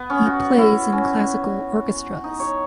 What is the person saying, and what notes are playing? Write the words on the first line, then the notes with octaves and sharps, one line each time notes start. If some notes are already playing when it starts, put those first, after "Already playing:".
He plays in classical orchestras.
Already playing: B3
C#4
F#4
E4
C#4
D#4
C#5